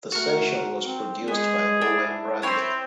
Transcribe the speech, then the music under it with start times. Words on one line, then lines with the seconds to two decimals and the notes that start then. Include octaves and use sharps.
The session was produced by Owen Bradley.
0.12 A3 F#4 A#4
0.81 C4
1.28 G#3 B3 G#4
1.81 D4 E4
2.42 C4 E4 C5 C#5 C6